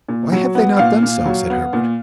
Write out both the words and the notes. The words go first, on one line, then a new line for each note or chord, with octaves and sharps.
"Why have they not done so?" said Herbert.
A#2
F#3
B3
A#2 F5
A#2
F#3
B3
A#2